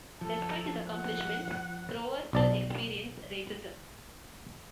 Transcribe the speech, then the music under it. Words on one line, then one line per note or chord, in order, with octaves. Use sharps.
Despite his accomplishments, Thrower still experienced racism.
F3 A4
F#5
B1 D5 A5